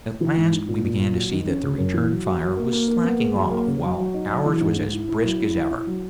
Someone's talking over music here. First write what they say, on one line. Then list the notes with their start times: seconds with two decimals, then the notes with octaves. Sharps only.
At last we began to see that the return fire was slacking off, while ours was as brisk as ever.
0.21 E3
0.37 G#2
0.53 G#2
0.68 A#2
0.84 A#2
1.00 A#2
1.15 F#3
1.31 D#3
1.47 C#4
1.63 C#3
1.78 F#2
1.94 E3
2.10 F#3
2.26 F#4
2.41 F#4
2.57 A#3
2.73 A#3
2.88 A#3
3.04 B3
3.19 G#4
3.35 F#3
3.51 A#3
3.67 C#3
3.83 F#3
3.98 F#3
4.14 D#4
4.30 F#3
4.46 E3
4.61 G#2
4.77 G#2
4.93 E4
5.09 E4
5.24 F#3
5.39 E4
5.55 E4
5.71 E4
5.87 F#3